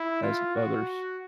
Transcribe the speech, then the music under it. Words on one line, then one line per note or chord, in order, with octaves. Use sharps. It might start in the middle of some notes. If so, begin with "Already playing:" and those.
as others,
Already playing: E4
F4
F#4